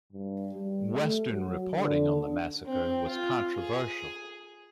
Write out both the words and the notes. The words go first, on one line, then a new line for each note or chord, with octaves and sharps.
Western reporting on the massacre was controversial.
G2
G3
A3
F#3
D3
D4
C4
F4
G#4